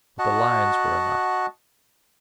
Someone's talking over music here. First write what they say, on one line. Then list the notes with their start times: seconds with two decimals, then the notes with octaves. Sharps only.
But the lines were enough.
0.19 F#4 D#5 F#5 A5